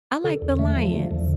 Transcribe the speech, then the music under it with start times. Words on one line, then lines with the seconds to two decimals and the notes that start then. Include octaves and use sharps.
I like the Lions.
0.24 D3
0.42 E2
0.59 A3
0.77 F3
0.94 D3
1.11 E2